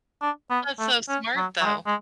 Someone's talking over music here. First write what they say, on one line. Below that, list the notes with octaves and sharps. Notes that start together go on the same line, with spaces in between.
That's so smart, though.
D4
B3
A3
C#4
F#3
F#3
G#3
G#3